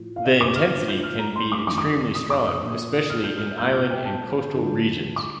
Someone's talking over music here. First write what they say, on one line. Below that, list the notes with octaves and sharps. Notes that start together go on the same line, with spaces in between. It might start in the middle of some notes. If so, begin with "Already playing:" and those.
The intensity can be extremely strong, especially in island and coastal regions.
Already playing: A2 F3
F5
D#5
D6
F6
G2 F3
G6
F6
A#5
C6
D6
F2 D#3 D6
D6
D#6
D#6
D6
D#6
A#2 F3
F6
G6
F6
A#2 F3 G6
F6
G5
A5
G2 D3 F3
D6